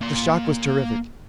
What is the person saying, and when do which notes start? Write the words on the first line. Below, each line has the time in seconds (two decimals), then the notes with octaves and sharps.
The shock was terrific.
0.01 A#3 C6